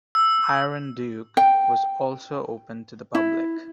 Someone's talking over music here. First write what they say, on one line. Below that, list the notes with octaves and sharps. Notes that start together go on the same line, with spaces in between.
"Iron Duke" was also open to the public.
E6
G5
E4